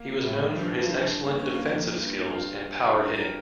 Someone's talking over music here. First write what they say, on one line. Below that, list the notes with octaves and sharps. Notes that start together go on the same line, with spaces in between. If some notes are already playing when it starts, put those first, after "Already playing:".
He was known for his excellent defensive skills and power hitting.
Already playing: A#3
A2 G3
G2 F3
F3
E3
G2 F3
F3
A#3
C#4
A#3
F2 A#3
G2
F4
G2 G4
A#4
A#4